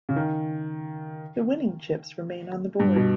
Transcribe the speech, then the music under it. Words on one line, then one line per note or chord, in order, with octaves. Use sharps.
The winning chips remain on the board.
C#3
D#3
G2
B2